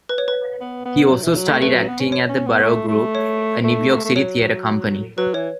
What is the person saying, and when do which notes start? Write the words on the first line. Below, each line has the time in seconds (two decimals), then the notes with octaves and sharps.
He also studied acting at The Barrow Group, a New York City theatre company.
0.09 B4
0.18 C#5
0.28 B4
0.61 B3
0.85 B3
1.11 F#3
1.24 E3
1.37 F#3
1.50 A3
1.62 A3 B4
1.74 F#3
1.88 B3
2.00 C#4
2.12 C#5
2.29 C#4
2.46 B3
2.63 A3
2.88 A3
3.15 C#5
3.64 A3
4.05 A3
4.15 F#3 C#5
5.18 F#3 B4
5.34 E3 C#5